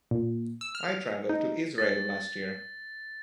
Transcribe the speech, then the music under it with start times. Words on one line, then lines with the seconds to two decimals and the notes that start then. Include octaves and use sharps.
I traveled to Israel last year.
0.11 A#2
0.61 E6
0.75 F6
1.29 D#4
1.78 A6